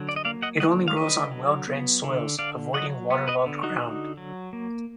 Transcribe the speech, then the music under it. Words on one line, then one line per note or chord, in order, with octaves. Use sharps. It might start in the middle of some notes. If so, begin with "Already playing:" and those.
It only grows on well-drained soils, avoiding waterlogged ground.
Already playing: D3 F#3
D5
D#5
A#3 D5 F5
D#5 F#5
D3 D#5 F#5
F5
D3 B4 D#5
F#3
B3
D3
D3 D5 F5
F#3 D#5 F#5
B3
B4 D#5
D3
D#4 F#4
D3
F#3
A#3